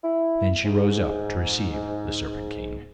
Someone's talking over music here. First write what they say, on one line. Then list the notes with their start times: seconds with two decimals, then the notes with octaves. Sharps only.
Then she rose up to receive the Serpent King.
0.04 E4
0.65 G#2